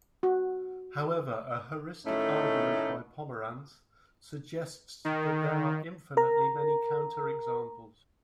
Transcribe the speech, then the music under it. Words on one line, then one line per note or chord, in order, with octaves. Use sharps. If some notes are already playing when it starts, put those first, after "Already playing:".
However, a heuristic argument by Pomerance suggests that there are infinitely many counterexamples.
F#4
A2 D#3 A3 C#4 D#4
D#3
A#4 A#5